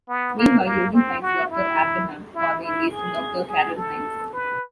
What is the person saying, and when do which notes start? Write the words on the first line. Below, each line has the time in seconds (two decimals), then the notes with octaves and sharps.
Meanwhile, Logan finds Doctor Abraham Cornelius and Doctor Carol Hines.
0.09 B3
0.38 A#3
0.65 A#3
0.93 C4
1.22 F#4
1.50 E4
2.35 E4
2.64 E4
2.91 G#4
3.48 G#4
3.76 A4
4.33 B4